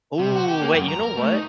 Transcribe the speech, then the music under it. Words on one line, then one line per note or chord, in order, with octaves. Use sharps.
Ooh, wait, you know what,
C3
F#4
G4
A#3
F#2
A#5
A#4
A3
D#4